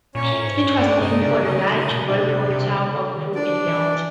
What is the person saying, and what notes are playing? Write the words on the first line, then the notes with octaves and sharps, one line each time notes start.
It was named for the large railroad town of Crewe, England.
A#2 C#4 C#5
A2
G#2
G2
G2 D4 D5
C3 D#4 D#5
C#3 D4 D5
C#3 D#4 D#5
D3
C#3 D#4 D#5
B2
C3 D4 D5
C3
C3
D3
C#3
D3
D#3
F3 D4 D5
E3